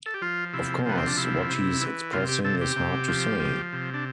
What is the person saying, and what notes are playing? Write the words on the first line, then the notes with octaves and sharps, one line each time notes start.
Of course, what he's expressing is hard to say.
A4
G4
F3 F4
C3 E4
F3 B3
C4
D4
C3 E4
C3
E3
C3 F4
G4
C3 A4
G4
C3
F3
F3
C3
D4